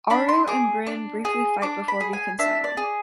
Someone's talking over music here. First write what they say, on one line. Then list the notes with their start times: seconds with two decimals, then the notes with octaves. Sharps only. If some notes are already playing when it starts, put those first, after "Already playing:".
Aru and Brynne briefly fight before reconciling.
0.10 D4 B5
0.29 C6
0.48 G#4 D6
0.87 D4
1.25 G#4
1.62 D4 D6
1.88 B5
2.00 G#4
2.13 G#5
2.39 D4 E5
2.64 D5
2.77 G#4